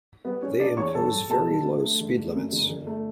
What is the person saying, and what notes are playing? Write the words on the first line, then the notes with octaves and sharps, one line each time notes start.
They impose very low speed limits.
G3 B3 B4
G3 C#4 C#5
G3 D4 D5
E2 C#5 C#6
G3 A4 A5
G3
B2 A4 A5
G3
D3
A3
G1
A3
F#2
G1
G1
A3